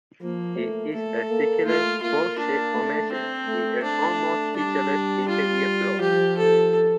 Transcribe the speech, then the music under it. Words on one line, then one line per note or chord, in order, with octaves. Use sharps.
It is a circular, bowl-shaped formation with an almost featureless interior floor.
F3 A#3
A3
A3 A4
A#3
A3 F4
A#3 F4
D4
A3
C4
A3
A3 D4
G3 D4
F4
F3 G4
A4